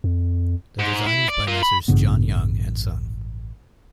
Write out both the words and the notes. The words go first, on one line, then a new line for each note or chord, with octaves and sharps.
The design was by Messrs John Young and Son.
F2
G#2
E4
D5
F4 A#4
B5
A1 G2 C#3 B3